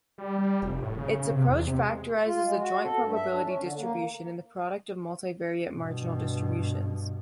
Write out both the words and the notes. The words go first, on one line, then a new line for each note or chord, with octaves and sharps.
Its approach factorizes the joint probability distribution in the product of multivariate marginal distributions.
G3
G3
F1
A2
C#3
C#3
C3
E2
C3
G#3
F4
G#3
F#4
A4
G2
E5
D4
C#4
D3
A#3
G2 B2